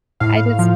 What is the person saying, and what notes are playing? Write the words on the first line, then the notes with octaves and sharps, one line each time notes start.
I just
A2 F5
F3